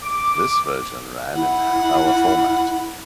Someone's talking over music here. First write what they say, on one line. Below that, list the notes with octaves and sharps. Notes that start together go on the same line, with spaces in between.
This version ran in half-hour format.
D6
E4 F#5